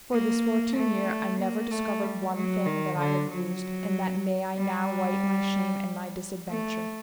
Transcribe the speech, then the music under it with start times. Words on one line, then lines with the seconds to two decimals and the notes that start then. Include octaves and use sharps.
For this fourteen year I never discovered one thing that I have used, and that may I now wite my shame and my disadventure.
0.12 A#3
0.76 A3
1.40 A#3
1.71 A3
2.03 G3
2.35 F#3
2.66 D#3
2.99 D3
3.30 F#3
4.57 G3
6.48 A3